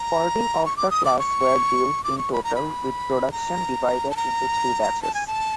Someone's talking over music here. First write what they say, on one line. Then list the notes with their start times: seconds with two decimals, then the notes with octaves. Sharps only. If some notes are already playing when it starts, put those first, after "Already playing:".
Fourteen of the class were built in total, with production divided into three batches.
Already playing: A#5
0.65 C#6
0.77 D6
0.90 D#6
1.05 D6
1.19 C#6
2.04 D6
2.18 C#6
2.32 B5
2.44 A#5
2.55 B5
3.32 A#5
4.11 A5
4.16 A#5
5.02 A5
5.14 G#5
5.27 A5